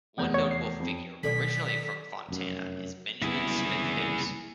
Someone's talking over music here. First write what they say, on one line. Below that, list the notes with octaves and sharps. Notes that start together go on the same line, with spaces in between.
One notable figure originally from Fontana is Benjamin Smith Hibbs.
F1 E2 G6
C#5
C7
F2
B2 D#3 F#3 A4 D5 B6
F1 F#2
F#1 C2 B3 E4 G#4